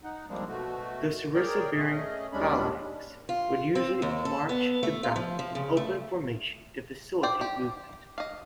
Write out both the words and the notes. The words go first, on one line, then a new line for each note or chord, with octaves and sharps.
The sarissa-bearing phalanx would usually march to battle in open formation to facilitate movement.
D#4 F#5
F3 G3 G#3 A#3 C4 D4
B2 A3 F#4
G#4 A#4 C#5 D5 G5
A3 C#4 G#4 D#5
D#2 G3 G#3 C#4 D4 B5
F4
C4
D#2
A4
B3
A3
F4
F3
F3
C#3
A3
C5 D5 G5
G4
D#5 F5